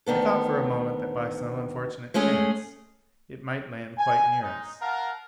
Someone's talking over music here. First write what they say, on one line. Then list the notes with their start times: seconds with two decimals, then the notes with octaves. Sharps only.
I thought for a moment that by some unfortunate chance it might land quite near us.
0.06 D2 D#3 B3 A4
2.14 G#3 A3 C#4 G#4
3.98 G#5
4.42 G#3 D#4
4.81 A#4 F5 F#5 A5 A#5